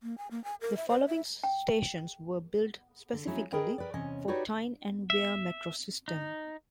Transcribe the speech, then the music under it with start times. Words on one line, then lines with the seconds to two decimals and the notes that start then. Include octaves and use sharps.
The following stations were built specifically for the Tyne and Wear Metro system.
0.03 A#3
0.18 G#5
0.31 A#3
0.44 G#5
0.61 A#4
0.77 E5
0.88 C5
1.07 E5
1.44 G5
3.13 D3
3.27 F#3 A3 C#4 D#4 E4
3.52 G#4 A#4 B4 D#5 G5
3.78 A#4 B4 D5
3.94 E2 C3 C#4 D#5
4.28 D#4 F#4 G4 B4 C#5 D5
5.10 E5
6.08 D#4